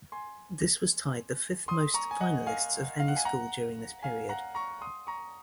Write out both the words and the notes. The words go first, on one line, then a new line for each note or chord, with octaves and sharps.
This was tied the fifth most finalists of any school during this period.
G#5 C6
C6 D#6
A#5 C#6
G#5
D#5 F#5
F5 G#5
F5
F#5
G#5
F#5 A#5
F5 G#5
F#5 A#5
A#5 C#6
C6 D#6
A#5 C#6